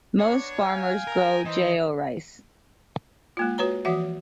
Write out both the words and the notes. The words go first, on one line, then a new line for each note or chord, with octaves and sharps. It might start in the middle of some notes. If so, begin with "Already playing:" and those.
Most farmers grow Jao rice.
B3 D4 C#5
F5 G5 G#5
A#4
E3 D#4 C5 D#5
G#3 A#3 F4
F#4 B4 C#5 A#5
E3 F3 F#4 E5 F#5